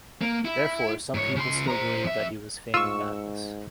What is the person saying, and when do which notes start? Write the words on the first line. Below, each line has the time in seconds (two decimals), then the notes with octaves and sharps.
Therefore, some people still believe that he was feigning madness.
0.21 A#3
0.45 E4
1.14 G#2 C#5
1.36 C#3 C6
1.67 C5 A#5
2.04 F2 E5
2.74 G#2 F4 C#6 E6